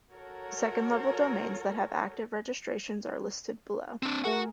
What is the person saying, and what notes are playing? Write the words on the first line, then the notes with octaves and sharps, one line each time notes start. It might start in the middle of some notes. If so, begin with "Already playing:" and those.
Second-level domains that have active registrations are listed below.
F#4 A4 A#4 C#5
C4 D4
A3 F#4 G#4 A#4 F#5